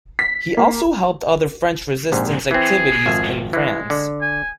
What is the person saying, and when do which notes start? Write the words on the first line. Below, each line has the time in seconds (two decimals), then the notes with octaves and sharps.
He also helped other French Resistance activities in France.
0.19 B6
0.57 A#3
2.12 A#1 G#2 C3
2.51 E3 C4 G#4
3.06 G#1 F2 E5
3.53 E3 G#3
3.90 D3
4.21 G#5